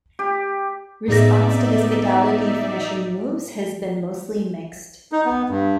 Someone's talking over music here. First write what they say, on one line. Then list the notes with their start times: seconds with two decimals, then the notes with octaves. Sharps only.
Response to his Fatality finishing moves has been mostly mixed.
0.19 G4
1.08 A2 B3 D#4 G#4 D5 E5 A#6
5.12 D#4
5.25 B3
5.50 G2